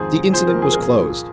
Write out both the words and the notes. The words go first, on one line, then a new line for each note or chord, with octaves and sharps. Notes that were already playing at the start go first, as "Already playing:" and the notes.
The incident was closed.
Already playing: F2 G#2 D#3 G#4 C5
C3
F3 G#4 C5
A#4
F2
G#4
A#2 A#4
G#4
F3